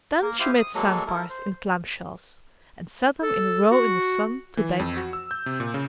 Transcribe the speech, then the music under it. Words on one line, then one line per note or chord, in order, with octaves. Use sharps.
Then she made sand-pies in clam-shells and set them in a row in the sun to bake.
A#3 A#4
E4 G4 C5 F5
D#6
F#3 G#3 A#3 A4
E4 A4 A#4
C5
A4
F#4
E3
F2
F#4
E6
G6
C3
A#2
C#3